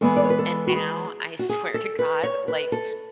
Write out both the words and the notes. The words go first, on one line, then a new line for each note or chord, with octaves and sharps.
and now, I, swear to God, like,
E3 G#3 B3 A4
D5
C#5
B4
A4
F#4
G#4
F#4
G#4
A4
B4
C#5
B4
A4